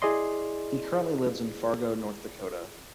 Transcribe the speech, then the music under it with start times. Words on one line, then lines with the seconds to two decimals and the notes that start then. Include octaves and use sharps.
He currently lives in Fargo, North Dakota.
0.02 E4 G#4 D5 D#5 C6